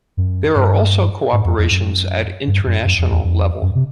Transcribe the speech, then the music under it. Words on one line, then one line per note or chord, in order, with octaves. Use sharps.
There are also cooperations at international level.
F#2
G2
G#2
F2
F2
F#2
G2
F#2
F#2
F2
E2
F2
F#2
C3